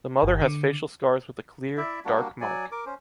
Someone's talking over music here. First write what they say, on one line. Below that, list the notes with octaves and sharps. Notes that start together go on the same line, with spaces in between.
The Mother has facial scars with a clear, dark mark.
G1
D3
E4 D5 E5
G3 A#3 D4 F#4
F#3 D5 G#5
A#4 D6
C#4 C5